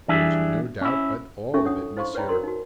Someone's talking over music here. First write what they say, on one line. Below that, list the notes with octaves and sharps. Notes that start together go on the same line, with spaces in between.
"There is no doubt at all of it, monsieur."
E3 G3 D4 G#4 E5
C#4 E4
C#4 D#4 F4 A4 E5 C#6
D4 C#5 F#5 D#6
E4 C5 F5 C6 C#6
B4 C#5 D5 G5 A#5 B5
F#4 A#4 C6
D#4 F#4